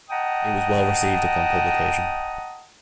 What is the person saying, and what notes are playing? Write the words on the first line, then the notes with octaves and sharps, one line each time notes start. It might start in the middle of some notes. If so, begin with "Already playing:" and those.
It was well received upon publication.
D#5 F#5 G5 A5 A#5 D#6